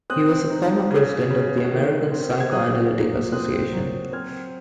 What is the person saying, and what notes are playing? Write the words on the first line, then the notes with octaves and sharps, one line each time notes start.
He was a former President of the American Psychoanalytic Association.
C4 D#6 F#6
D#4
C#3
C#3
D#3
C4
G#6
F#3 D#6 F#6
A#2
C4 D#6 F#6
F#3
C4 F6 G#6